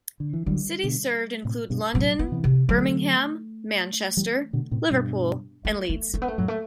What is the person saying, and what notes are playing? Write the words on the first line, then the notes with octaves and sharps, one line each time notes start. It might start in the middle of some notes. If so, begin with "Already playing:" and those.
Cities served include London, Birmingham, Manchester, Liverpool and Leeds.
D3
E3
D3 F#3 G3
B2 D3
A2 C3
G2 B2
A2 C3 F#3
B3
C3 E3
C3
D3 F#3 A3
E3 G3
B2 D3
A2 C3
G2 B2
A3
A3
A3
B3
A3
F#2 A2 F#3
A3